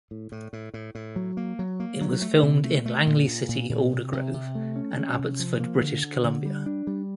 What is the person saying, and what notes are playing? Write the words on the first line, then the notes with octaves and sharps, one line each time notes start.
It was filmed in Langley City, Aldergrove and Abbotsford, British Columbia.
A2
A2
A2
A2
A2
F#3
A#3
F#3
A#3
F#3
A3
C3
A3
A3
A#2
A#2
A#2
A#2
C3
C3
C3
A3
C#4
C#4
C3
F3
A#3
D3
D3
D3
G3
D4
G3